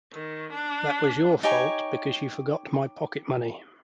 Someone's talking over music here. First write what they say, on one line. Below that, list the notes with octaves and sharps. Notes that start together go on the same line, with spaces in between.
That was your fault, because you forgot my pocket-money.
D#3
D4
D#4 G4 C#5 G#5